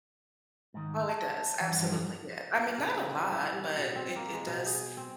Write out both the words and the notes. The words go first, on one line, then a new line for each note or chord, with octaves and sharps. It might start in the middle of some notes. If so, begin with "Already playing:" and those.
Oh, it does, absolutely, yeah. I mean, not a lot, but it it does
G#2 D#3
A5
G2 E3 F3
F4
C#3
C4
E4
G3
B2
C4
A#3
G#3
B2
G#4
C4